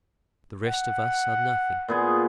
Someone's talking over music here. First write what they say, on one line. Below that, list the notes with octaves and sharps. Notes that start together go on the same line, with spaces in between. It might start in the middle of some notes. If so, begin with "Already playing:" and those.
The rest of us are nothing.
F#5
A#2 B3 G#4